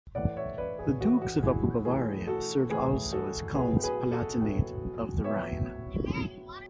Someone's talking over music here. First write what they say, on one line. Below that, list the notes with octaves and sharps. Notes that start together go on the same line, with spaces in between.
The dukes of Upper Bavaria served also as Counts Palatinate of the Rhine.
A2 E3 A3 D5 F#5
C#5 E5
B4 D5
G#4 B4
A2 E3 A3 F#4
F#4
E4 G#4
F#4
A2 E3 A3 E4 G#4
F#4 A4
A2 E3 A3 G#4 B4
F#4 A4
A2 F#3 B3 G#4 B4
G#4 B4
F#4 A4
A2 F#3 B3
A2 F#3 B3 C#5 E5